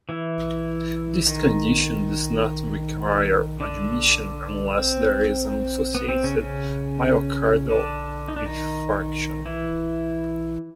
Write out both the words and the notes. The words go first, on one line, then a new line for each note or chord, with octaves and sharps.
This condition does not require admission unless there is an associated myocardial infarction.
E3 E4
D#3 D#4
D3 D4
C4
B3
C4
C#3 C#4
C#3 C#4
D3 D4
D#4
D4
D#3 D#4
E3 E4